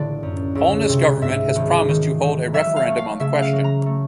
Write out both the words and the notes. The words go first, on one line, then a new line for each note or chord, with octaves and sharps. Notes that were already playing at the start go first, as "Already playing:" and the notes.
Holness's government has promised to hold a referendum on the question.
Already playing: A#1 A2 D3 D5
F#2
C#2
C3
G#2 E5
G#1
D#3
D#3
F#3 E5
F5
A3
F5
C#3 E5
F5
F#3
A#5
A3